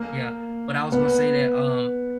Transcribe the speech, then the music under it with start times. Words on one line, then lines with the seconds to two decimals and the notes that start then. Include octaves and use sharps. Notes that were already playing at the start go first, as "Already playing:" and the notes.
yeah. But I was gonna say that, um,
Already playing: A#3
0.92 B3